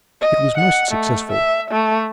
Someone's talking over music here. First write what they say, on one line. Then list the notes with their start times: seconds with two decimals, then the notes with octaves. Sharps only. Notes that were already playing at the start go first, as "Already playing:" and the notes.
It was most successful.
0.21 D#5
0.58 F#5
0.92 A3
1.32 E5
1.71 A3